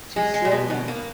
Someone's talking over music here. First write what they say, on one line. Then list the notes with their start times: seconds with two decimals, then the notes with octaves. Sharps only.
to slow down,
0.16 G#3
0.34 G#3
0.45 A#2
0.52 B2
0.70 B2
0.88 A#3